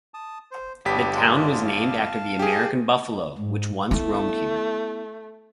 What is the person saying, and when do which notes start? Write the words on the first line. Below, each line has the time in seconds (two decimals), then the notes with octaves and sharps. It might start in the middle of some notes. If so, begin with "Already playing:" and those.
The town was named after the American buffalo which once roamed here.
0.14 A5 D#6
0.51 C5
0.85 G1 B3 D4 G4 B6
1.13 G#3 D4 F4
1.65 F5 A5
2.39 G4 G#4
3.38 G#2
3.91 A3 B3 E4